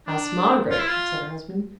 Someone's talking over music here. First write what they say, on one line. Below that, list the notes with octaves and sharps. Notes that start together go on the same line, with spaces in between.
'Ask Margaret,' said her husband.
D4
F4
E4
F4